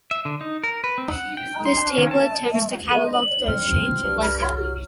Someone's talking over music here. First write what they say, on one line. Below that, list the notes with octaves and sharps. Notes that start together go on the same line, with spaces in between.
This table attempts to catalogue those changes.
E5
D3
D#4
A#4
B4
C4
F#5
G5
C6
D#3
A5
D#7
F#7
C4 F6
G2
F#3